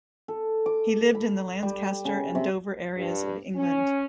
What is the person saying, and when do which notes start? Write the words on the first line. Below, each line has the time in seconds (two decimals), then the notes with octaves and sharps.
He lived in the Lancaster and Dover areas of England.
0.28 A4
0.66 D6
1.15 B5
1.63 G3
2.05 C#3
2.35 C3
2.95 G2
3.56 C#4